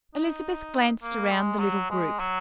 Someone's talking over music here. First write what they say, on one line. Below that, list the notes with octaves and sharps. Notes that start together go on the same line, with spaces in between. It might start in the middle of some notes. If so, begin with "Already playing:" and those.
Elizabeth glanced around the little group.
D#4
A#3
G#3
F#3
G#3
F#3